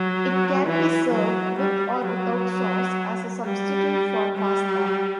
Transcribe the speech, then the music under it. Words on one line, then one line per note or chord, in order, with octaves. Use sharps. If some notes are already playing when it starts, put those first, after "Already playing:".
It can be served with or without sauce, as a substitute for pasta.
Already playing: F#3
E3
F#3
G3
F#3
G3
G3